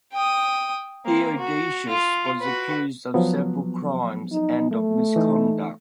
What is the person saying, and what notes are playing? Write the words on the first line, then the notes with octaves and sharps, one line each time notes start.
Theodosius was accused of several crimes and of misconduct.
G5 D#6
A#3 C4
F#4
F4
F#4 B4
F3 F#3 B3
D#4
A3
E3 D#4